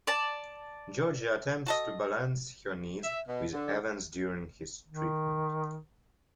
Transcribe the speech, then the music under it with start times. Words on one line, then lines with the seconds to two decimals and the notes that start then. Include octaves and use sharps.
Georgie attempts to balance her needs with Evan's during his treatment.
0.07 D5 A5
1.66 F#4 A4 D#5
3.02 E5
3.26 B2
3.52 D3
4.88 D#3